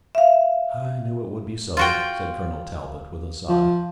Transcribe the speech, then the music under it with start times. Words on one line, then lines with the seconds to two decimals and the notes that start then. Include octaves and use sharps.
"I knew it would be so," said Colonel Talbot, with a sigh.
0.15 E5 F5
1.77 F4 F#4 G5
3.49 F3